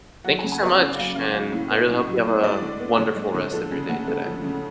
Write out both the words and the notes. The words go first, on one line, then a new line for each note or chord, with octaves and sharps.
thank you so much, and I really hope you have a wonderful rest of your day today.
F#3 F#5
G#5
C#3
G#5
B3 D5
C#3 F5
F#3 F5
C#3 F5
F#3
A2
B3
A2
F#3
A2
C#5
G#3 D5
D3
B3
D3 C#5
G#3
D3
F3 A4
C#3 G#4
A3 F#5
C#3 A4
F3
C#3